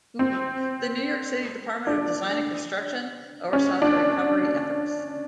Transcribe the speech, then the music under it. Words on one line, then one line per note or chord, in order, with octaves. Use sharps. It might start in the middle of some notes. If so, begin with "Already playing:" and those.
The New York City Department of Design and Construction oversaw the recovery efforts.
C4
D4
C#4
D4